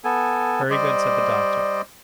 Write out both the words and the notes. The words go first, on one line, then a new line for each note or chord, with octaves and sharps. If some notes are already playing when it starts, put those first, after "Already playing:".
"Very good!" said the doctor.
B3 A4 G#5
G3 C5 D5 D#5